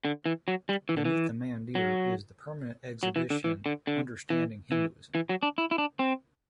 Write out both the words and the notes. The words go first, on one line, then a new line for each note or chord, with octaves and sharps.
Beneath the Mandir is the permanent exhibition 'Understanding Hinduism'.
D3
E3
F#3
G3
E3
D3
E3
F#3
F#3
E3
D3
E3
D3
D3
E3
E3
E3
F#3
D4
E4
E4
D4
C4